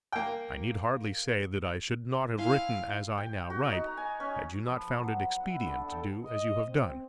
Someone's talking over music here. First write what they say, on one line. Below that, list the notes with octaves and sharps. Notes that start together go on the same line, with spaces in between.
I need hardly say that I should not have written as I now write, had you not found it expedient to do as you have done.
A#3 G5
E4 F5 G#5 C6
G5
F#4
D#4
A#5
G#5
C#4
F3 B4
F#3
E4 F#5
D3
A4 G5
D#5
C4